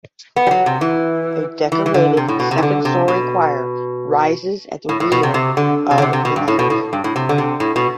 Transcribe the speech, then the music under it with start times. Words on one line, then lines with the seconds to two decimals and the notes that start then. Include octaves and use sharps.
A decorated second story choir rises at the rear of the nave.
0.36 B3
0.47 G3
0.51 F#3
0.66 C3
0.81 E3
1.72 E3
1.86 E3
1.94 D3
2.17 C3
2.28 A2
2.40 B2
2.51 C3
2.58 E3
2.63 D3
2.85 C3
3.08 B2
4.89 A2
5.00 A2
5.12 B2
5.23 C3
5.34 C3
5.57 D3
5.91 C3
5.98 D3
6.02 C3
6.13 C3
6.25 B2
6.36 G2
6.48 A2
6.59 B2
6.70 A2
6.93 G2
7.04 A2
7.16 C3
7.29 D3
7.38 C3
7.60 A2
7.76 B2